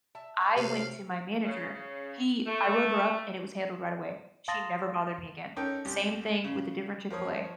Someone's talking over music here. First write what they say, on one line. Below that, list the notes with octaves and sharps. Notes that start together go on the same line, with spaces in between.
I went to my manager. He I wrote her up and it was handled right away. She never bothered me again. Same thing with a different Chick-fil-A.
E5 A5
C3 F3 F#3 A3 F5
C#3
C#3
A3
F5 A5 C6 D#6 A6 A#6
C#4 D#4 A4 A#4 G5
C2 G4
C#3
F3 A#4 C#5 D#6